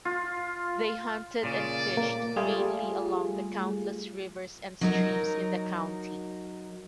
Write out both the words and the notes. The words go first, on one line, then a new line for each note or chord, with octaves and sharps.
They hunted and fished mainly along the countless rivers and streams in the county.
F4
A#2 C#3 D5
A#3
G3 A3 F4 G#4
F#3 D#4 A#4